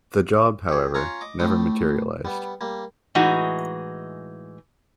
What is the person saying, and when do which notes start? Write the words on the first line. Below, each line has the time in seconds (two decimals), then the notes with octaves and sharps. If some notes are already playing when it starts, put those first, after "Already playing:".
The job, however, never materialised.
0.69 G4 G#4
0.94 C#4 F4 C#5 F5 G#5 A#5
1.21 D#5 D6
1.40 A2 A3 G5 D6 D#6
2.25 G3 B3
2.61 G3 A#3
3.15 A2 E3 G#3 D#4 F#4